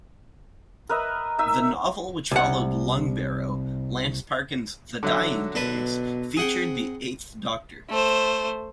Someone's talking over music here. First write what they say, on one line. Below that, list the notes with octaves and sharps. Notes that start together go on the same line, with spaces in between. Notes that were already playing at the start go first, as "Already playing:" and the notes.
The novel which followed "Lungbarrow", Lance Parkin's "The Dying Days", featured the Eighth Doctor.
A#4 B4 D#5 E5
D#4 E5
C2 F#5
D3 F#3 E5
B2 D4 B4
C4 G#4 F#5 G5
A3 C5